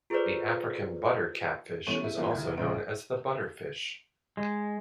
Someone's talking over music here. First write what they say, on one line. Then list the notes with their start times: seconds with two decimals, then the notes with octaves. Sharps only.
The African butter catfish is also known as the butter fish.
0.10 F4 G#4 A4 B4 C5 D5
1.87 E3 A3 B3 C#4 C#6 D#7
2.02 A3 E4
2.17 E3 A#3 E4 F4
2.31 F1 E4 G#6
2.58 A#1 C#3 G#3 D7
4.37 G#3